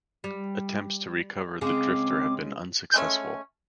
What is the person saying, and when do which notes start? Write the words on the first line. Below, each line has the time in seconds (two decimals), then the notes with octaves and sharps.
Attempts to recover the drifter have been unsuccessful.
0.24 G3
1.61 C#3 G#3 C4 D6
2.94 G#3 A3 C#4